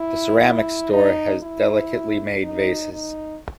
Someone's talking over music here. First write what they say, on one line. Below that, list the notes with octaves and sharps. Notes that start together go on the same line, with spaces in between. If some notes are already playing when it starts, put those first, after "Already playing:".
The ceramics store had delicately made vases.
Already playing: E4
E4
D#4
E4
D#4
D#4